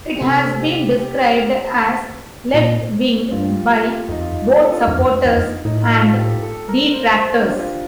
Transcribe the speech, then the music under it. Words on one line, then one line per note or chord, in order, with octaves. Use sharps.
It has been described as left-wing by both supporters and detractors.
G4
C3 A4
G4
G4
A#2
G2 F4
G4
F4
G4
F4
F2 D#4
F4
D#4
D4
A4
G4
F4
D#4
F2 D4
F2 D#4
A2 D#4
D#4
F4
A4
G4
A4
A#4
C5
C5
D4
G4
F4